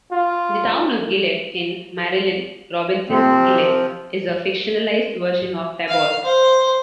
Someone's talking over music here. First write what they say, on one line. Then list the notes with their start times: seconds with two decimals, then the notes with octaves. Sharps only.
The town of Gilead, in Marilynne Robinson's "Gilead", is a fictionalised version of Tabor.
0.12 F4
3.10 C3 F3 C4
5.89 F5
6.24 C5